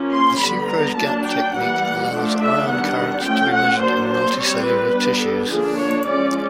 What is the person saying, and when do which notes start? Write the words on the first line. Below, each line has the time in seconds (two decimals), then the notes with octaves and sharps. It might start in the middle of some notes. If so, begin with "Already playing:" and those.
The sucrose gap technique allows ion currents to be measured in multicellular tissues.
Already playing: F3 A#3 C#4
0.12 C6
0.40 D3 G3 B3 B5
0.70 A#5
0.97 F#3 A#3 D4 A5
1.26 G5
1.53 E3 G3 A#3 F#5
2.10 F3 A3 D4
2.39 E5
2.67 D#3 G3 B3 D4 F#5
3.22 F3 A3 C#4 G5
3.51 F#5
3.79 F#3 A#3 D4 C5
4.08 C5
4.36 G3 C4 C#5
4.65 B4
4.93 G3 B3 D4
5.21 A4
5.48 D3 F3 A#3 D4 G#4
5.77 C#5
6.05 F3 G#3 C#4 D5